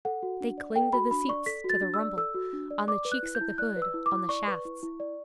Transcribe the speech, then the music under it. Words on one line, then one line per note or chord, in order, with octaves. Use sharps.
They cling to the seats, to the rumble, on the cheeks of the hood, on the shafts.
A4 F#5
F#4
D4
D5
A4 G5
F#4 B5
D4 B5
D5 C#6
A4 B6
F#4
A6
D4
E6
D5
A4 E6
F#4
D4
D5
D5 D6
B4
F#6
E4
G6
E4
D5 F#6
B4
E6
E4
D6
E4
D5 C#6
B4
E4
E4
D5